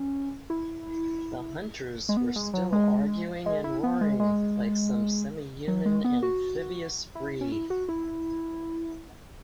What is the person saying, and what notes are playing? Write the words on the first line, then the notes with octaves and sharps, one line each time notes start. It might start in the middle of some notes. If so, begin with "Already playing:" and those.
The hunters were still arguing and roaring like some semi-human amphibious breed.
Already playing: C#4
E4
G#3
B3
G#3
F#3
G#3
G#3
E4
B3
G#3
G#3
F#3
G#3
B3
F#4
E4
C#4
E4
F#4
E4